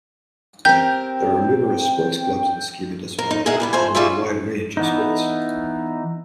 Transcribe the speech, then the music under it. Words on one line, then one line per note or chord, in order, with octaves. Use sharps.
There are numerous sports clubs in Ski municipality, covering a wide range of sports.
C4 G4 A#4 G5 G6
A#4
D#4
G#4 A#4 D#5 E5 F#5
E3 G3 B3
F2 A3 C5 G#5
G3 F4 G#4 C#5 E5
E3 B3 D#4